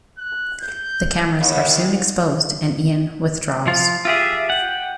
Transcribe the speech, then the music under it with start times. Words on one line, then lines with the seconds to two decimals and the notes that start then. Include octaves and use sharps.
The cameras are soon exposed and Ian withdraws.
0.18 F#6
0.61 G6
1.41 D#2
3.67 F3 F4
4.05 F4 G4 G#4 E5
4.50 F#5 G5